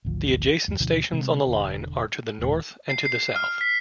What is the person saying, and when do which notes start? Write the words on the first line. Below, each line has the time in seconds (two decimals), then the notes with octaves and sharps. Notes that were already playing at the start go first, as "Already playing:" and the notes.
The adjacent stations on the line are to the north and to the south.
0.05 G#1 D2 F3
0.68 E2 G2
0.80 D2 B2 D3 F3
1.11 C3 G#3
1.46 E1 D3
2.39 D#1 A2
2.90 C7
3.06 C7
3.36 F6
3.61 B6